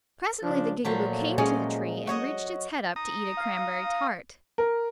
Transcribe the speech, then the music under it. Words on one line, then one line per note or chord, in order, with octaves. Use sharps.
Presently the Gigaboo came to the tree and reached its head up to eat a cranberry tart.
C#3 F3 D4
A#2 F3 F#3 A3
G#3 C#4 D#5
F#4 C#5 D#5
A#5 D#6
F5
A#4